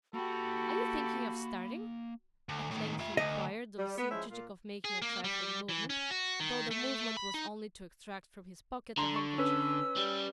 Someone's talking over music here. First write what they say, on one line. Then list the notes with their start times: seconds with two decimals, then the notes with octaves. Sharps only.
"Are you thinking of starting?" at length he inquired, on seeing Chichikov making a trifling movement, though the movement was only to extract from his pocket a handkerchief.
0.14 A#3 F#4 G4 A4 G5 B5
2.49 D2
2.71 A2 D#3
3.00 F4 E5
3.17 D2 D#5
3.79 G3
3.98 B3
4.11 F3 G#3 C#4 E4
4.31 A#2 A#3 F4
4.85 G#4
5.02 A#3
5.24 G3
5.69 E3
5.90 C#4
6.11 F#4
6.40 D#3
6.71 A3
7.17 B5
7.34 D#4
8.98 D3 A#5 C6
9.16 C#6
9.38 C#4 B4 E6
9.97 G3